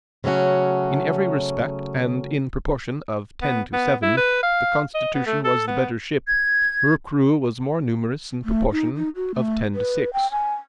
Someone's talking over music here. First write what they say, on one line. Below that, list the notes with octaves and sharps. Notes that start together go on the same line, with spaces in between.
In every respect, and in proportion of ten to seven, the Constitution was the better ship; her crew was more numerous in proportion of ten to six.
C#3 F#3 A3 C#4 F#4
B3
B3
E4
B4
F5
D#5
B3
A3
A4
B3
G#6
A3
D#4
D#4
F#4
A3
B4
G5
G#5